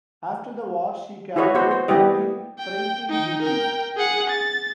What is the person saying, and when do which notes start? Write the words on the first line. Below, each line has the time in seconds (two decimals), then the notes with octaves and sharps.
After the war she carried out routine freighting duties.
1.36 E4 F#4 G#4 B4 C#5 D#5
1.54 B3 F#4 C5
1.71 C5
1.88 G3 B3 E4 G4 D#5
2.59 G5
3.09 D#4 G5
3.42 A#4 G5
3.97 G#4 F#5
4.29 A6